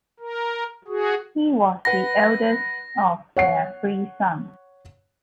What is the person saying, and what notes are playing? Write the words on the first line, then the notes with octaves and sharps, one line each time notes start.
He was the eldest of their three sons.
A#4
F#4 G#4
B4 F#5 B5 A#6
C#5 F#5 C7